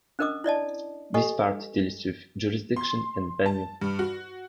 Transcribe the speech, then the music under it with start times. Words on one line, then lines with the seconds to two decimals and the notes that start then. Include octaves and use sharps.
This part deals with jurisdiction and venue.
0.19 C#4 D4 A#4 D#5 D6 D#6
0.44 E4 D5 D#5 A5
1.14 G4 A4 D#5 G#5 C#6
2.76 C6
3.46 A5
3.81 G2
3.99 F#4